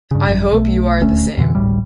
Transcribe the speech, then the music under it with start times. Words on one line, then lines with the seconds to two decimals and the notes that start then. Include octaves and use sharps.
I hope you are the same.
0.11 G2 C#3
0.27 G#1 F#2
0.52 B1 A3
1.01 D#1 D2 A3 C#4
1.37 F2 B2 D3 E3
1.55 G#1 D2 A2 G3